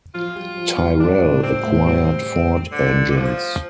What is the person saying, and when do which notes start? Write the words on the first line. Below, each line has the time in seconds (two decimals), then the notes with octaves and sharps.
Tyrrell acquired Ford engines.
0.14 F3 F4
0.36 G3
0.57 F3
0.79 G3
1.00 G3 D4
1.21 A2 A3
1.43 C4
1.64 A2 A3
1.86 G3 C4
2.72 D3
3.10 D3
3.15 F3